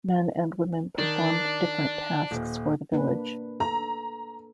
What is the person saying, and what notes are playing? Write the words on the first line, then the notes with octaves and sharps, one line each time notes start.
Men and women performed different tasks for the village.
D#3 D4
D#1
A#3 D4 B4
A4 A#5